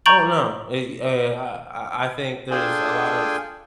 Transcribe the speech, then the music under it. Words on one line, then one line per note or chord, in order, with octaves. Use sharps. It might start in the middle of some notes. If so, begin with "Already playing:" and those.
I don't know, eh, uh uh, I I I think there's a lot of
A#5 C#6 G6 A6 D7 F#7
D4 F4 G#4 A4 G5 G#5